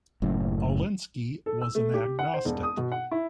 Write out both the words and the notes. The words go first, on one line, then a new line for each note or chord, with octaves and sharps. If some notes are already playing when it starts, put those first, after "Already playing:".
Alinsky was an agnostic.
F#1 F#2 A2
A4
E6
A3
G4
F#5
C5
E1
D#6
B2
F#5
E4